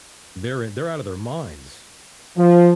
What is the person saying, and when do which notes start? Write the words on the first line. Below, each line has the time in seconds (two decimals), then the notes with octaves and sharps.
They're in they're out of their minds.
2.37 F3